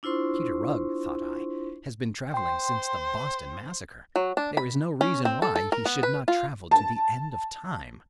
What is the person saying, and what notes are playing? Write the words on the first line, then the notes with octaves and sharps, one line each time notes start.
If Peter Rugg, thought I, has been travelling since the Boston Massacre, there is no reason why he should not travel to the end of time.
D4 E4 F4 C5 C6 C#6
C5 G5 C6
F#3
D4
B5
C#4
C4
A4
A4
A#4
B3
B4
F4
A5